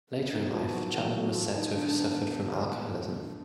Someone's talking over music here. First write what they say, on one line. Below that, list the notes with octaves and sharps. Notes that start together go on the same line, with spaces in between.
Later in life, Chapman was said to have suffered from alcoholism.
B3
D#3 D#4
F#4
F3 F4
F#3 F#4
F#3 F#4
F#3 F#4
F3 F4
D#3 D#4
D3 D4
B3
B3